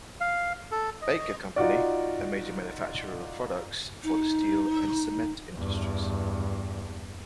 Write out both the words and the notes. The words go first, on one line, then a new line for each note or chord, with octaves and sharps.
Baker Company, a major manufacturer of products for the steel and cement industries.
F5
A4
D#5
D#4 F4 F#4 D5
D#4
E2 G2